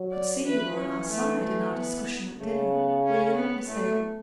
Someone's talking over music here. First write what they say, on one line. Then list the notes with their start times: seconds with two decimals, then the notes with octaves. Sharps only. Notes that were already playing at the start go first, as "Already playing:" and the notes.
'I could see you were on our side in our discussion at dinner,--were you not, Miss Hale?'
Already playing: F#3
0.12 D5
0.44 E3 B4
0.77 C#4
1.10 A3
1.41 A3
1.74 B3
2.39 C#3 A3
2.72 B3
3.04 C#4
3.36 B3
3.68 A2 A3